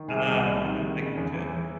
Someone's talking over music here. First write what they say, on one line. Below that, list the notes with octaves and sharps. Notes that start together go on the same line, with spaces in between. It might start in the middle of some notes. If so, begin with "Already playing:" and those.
Ah, yeah, I gotcha.
Already playing: D#3
C2 G#4
C2
C3
D#3
D#3
C#3
E2
E3
E3